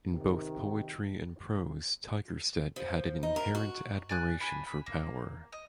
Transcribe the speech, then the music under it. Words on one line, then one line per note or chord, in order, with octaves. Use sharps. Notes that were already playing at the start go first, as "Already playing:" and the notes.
In both poetry and prose Tigerstedt had an inherent admiration for power.
C3 D#3
F3
D#4
A#4
F#4
D5 G#5 F#6
D4 G#5 B5
B5
A#3
D#5